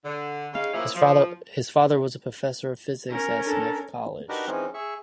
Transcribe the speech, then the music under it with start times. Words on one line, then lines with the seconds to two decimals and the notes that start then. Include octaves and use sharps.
His father was a professor of physics at Smith College.
0.04 D3
0.54 C#3 G#3 D#4 F5
0.73 A#2 F3 A#3 C#4 E4
0.95 F3
3.10 C#4 A#4
3.45 D4 A4
4.29 D4 D#4 F#4 G4 A#4 B4
4.47 E3 F3 G#3 C4 C#4 D#4
4.74 G#4 E5 C#6